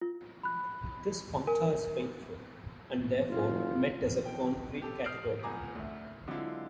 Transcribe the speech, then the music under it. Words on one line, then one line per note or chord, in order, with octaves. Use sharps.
This functor is faithful, and therefore Met is a concrete category.
F4
B5 F#6
A#4 G#5
F#1 F4
B2 G5
G4 A4
D#6 F6 G6 C7 D7 F#7
C#2 B3 G#5 A#5 D6
D2 E5
D3 F#3 G#3 C4 E4 F4